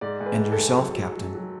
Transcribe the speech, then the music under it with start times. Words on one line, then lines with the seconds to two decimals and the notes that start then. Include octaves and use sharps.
"And yourself, captain?"
0.01 G#2 D5
0.20 G#2
0.26 B4
0.40 G#2
0.52 A4
0.58 G#2
0.78 F#3
0.96 F#3
1.16 F#3
1.35 F#3